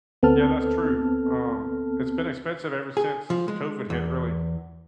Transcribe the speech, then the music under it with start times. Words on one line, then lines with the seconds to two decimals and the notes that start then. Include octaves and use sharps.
Yeah, that's true. Um, it's been expensive ever since COVID hit, really.
0.23 D2 B3 C4 A4 A5 F6
2.97 G#4
3.30 F3
3.48 G#3
3.90 E2